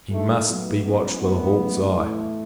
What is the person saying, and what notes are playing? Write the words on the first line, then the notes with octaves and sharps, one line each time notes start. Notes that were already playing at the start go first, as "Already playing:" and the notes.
He must be watched with a hawk's eye.
A2 G#3 A3 D#4
F#3 A3 B3 D#4
F#3 B3 C#4 E4
F#3 A3 B3 E4
C#3 F#3 A3 E4
A2 E3 A3 B3 E4